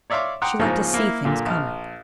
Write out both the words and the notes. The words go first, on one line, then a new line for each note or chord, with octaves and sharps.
She liked to see things coming.
C#5 D5 E5 F5 C6 D6
F#5 G5 A#5 C6 D6 D#6
G#2 C#3 F3 A#3 C#4 F4
A#3 E4
A#2 D3 A#3
A#1 F6